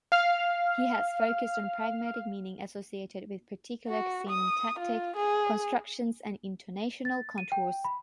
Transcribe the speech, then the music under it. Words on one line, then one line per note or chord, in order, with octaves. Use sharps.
He has focused on pragmatic meaning associated with particular syntactic constructions and intonational contours.
F5 F6
F#4
D#6
F4
G#4
A6
D#7
G5
B5